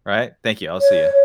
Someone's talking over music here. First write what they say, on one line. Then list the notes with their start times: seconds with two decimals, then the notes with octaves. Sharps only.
Right. Thank you, I'll see ya.
0.81 C#5